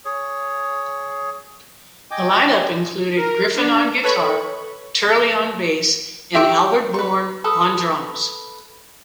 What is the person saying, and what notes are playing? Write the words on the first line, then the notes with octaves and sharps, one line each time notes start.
The lineup included Griffin on guitar, Turley on bass, and Albert Born on drums.
G#4 C#5
D#5 G5 G#5 D6
A#4
D4
A4 B4 C#5 B5 C#6
G4 E5 C#6 D6
B4 C#6
A4 B4 D#6